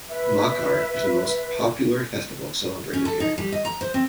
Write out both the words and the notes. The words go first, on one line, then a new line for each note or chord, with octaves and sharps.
"Makar" is the most popular festival celebrated here.
B4 E5
C#4
A4
D#4
G3
D#5
A#5
C5
C4